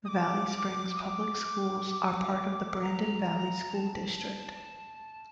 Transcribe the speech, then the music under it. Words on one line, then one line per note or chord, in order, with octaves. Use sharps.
Valley Springs Public Schools are part of the Brandon Valley School District.
D#6
D6
D#6
D6
A#5
A5